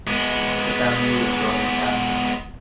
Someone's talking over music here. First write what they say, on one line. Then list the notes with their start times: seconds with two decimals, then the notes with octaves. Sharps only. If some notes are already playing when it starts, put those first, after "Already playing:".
The family was Roman Catholic.
0.07 G#3 B3